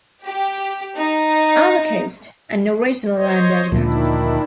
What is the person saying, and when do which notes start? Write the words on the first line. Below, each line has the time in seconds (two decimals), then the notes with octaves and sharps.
Armacost, an original landowner.
0.24 G4
0.96 D#4
3.16 C5 C#5 D#5
3.72 D2 A#2 D#3 F3 D4 E4